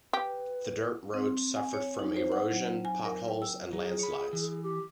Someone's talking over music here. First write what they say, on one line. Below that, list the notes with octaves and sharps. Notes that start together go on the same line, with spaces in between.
The dirt road suffered from erosion, potholes and landslides.
G4 B4
C4
G#5
C#5
D#4
C5
F#5
F#3
G#5
A#4
G5
E6
F#3 G#4
C#5 B5
E3
G4